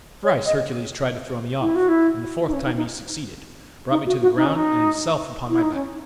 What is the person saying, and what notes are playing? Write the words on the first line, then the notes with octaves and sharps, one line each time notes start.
Thrice Hercules tried to throw me off, and the fourth time he succeeded, brought me to the ground, and himself upon my back.
C#5
D#5
E4
F#4
E4
D#4
C#4
D#4
D#4
D#4
F#4
F#4
D#4
C#4
D#4
E4
D#4
C#4